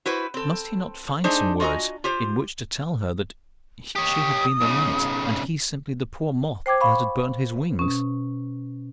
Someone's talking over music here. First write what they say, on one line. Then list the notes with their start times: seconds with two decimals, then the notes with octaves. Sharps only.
Must he not find some words in which to tell her that she had been the light, and he simply the poor moth that had burned his wings.
0.06 E4 F#4 B4 C5
0.34 C4 A4
1.24 A3 D4 D#4 G#4 C5
1.60 F4 F#4 D#5 G#5 A#5
2.04 F4 G4 C5
3.95 G4 C#5 D#6
4.60 B1 C#3
6.66 C5 G5 D6 G#6
6.80 F5 B5 C#6
7.79 B2 C#4